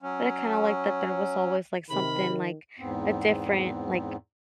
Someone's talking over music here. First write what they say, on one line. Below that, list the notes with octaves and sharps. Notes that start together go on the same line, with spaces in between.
but I kinda like that there was always, like, something, like, a different, like,
F#3 C#4
C3 D#3 A#4 B5
E2 G#2 B3 C4